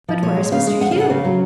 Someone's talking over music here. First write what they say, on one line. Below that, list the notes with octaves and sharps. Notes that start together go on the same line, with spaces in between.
"But where is Mr. Hugh?"
F3
A#2 C#5
G#3
C#3 F5
G#3
F2 F#5
F5
C#3 F#5
C#3 F5
F#3